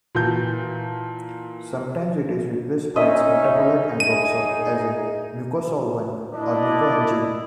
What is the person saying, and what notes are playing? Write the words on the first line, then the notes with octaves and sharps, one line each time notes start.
Sometimes it is replaced by its metabolite ambroxol, as in Mucosolvan or Mucoangin.
A#2 E3 F#4 A5 G6
C#4 D#4 D#5 E5
G#4 D#7
D4 E4 D5 D#5